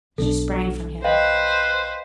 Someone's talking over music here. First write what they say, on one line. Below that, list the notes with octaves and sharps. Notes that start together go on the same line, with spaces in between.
She sprang from him.
B1 C#4 D4 A4
B4 C5 D#5 F5 G5